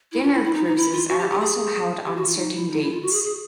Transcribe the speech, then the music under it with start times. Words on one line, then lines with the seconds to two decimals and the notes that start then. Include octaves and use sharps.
Dinner cruises are also held on certain dates.
0.12 E4
0.22 F4
0.33 E4
0.44 E4
0.54 D#4
0.65 D#4
0.76 E4
0.92 F4
1.08 F#4
1.19 G4
1.30 G4
1.41 G#4
2.05 G4
2.16 F#4
2.27 F4
2.37 D#4
2.53 E4
2.70 D#4
2.81 E4
2.91 F4
3.02 F#4
3.12 G#4
3.23 G#4